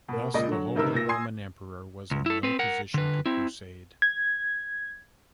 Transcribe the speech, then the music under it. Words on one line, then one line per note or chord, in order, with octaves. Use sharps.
Thus, the Holy Roman Emperor was in no position to crusade.
B2 A#3
C#2 A#2 D5 D#5
D3 F#3
A1 C3 D#4 A#4 B4 E6
A#2 A#6
G#5 C6 D#6 G#6 C7
C#2
E4 A4
C4 B4
A#4 F#5
D3 B4
C4 E4
G#6